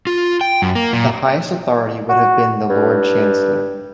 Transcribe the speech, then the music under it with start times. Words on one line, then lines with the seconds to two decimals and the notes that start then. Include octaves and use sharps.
The highest authority would have been the Lord Chancellor.
0.07 F4
0.41 G5
0.62 F#2
0.75 A#3
0.93 A#2
2.09 F#4
2.70 G2